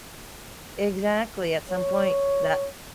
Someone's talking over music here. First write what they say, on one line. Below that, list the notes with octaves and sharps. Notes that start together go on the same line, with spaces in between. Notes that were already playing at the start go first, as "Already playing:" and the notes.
exactly, at some point that
C#5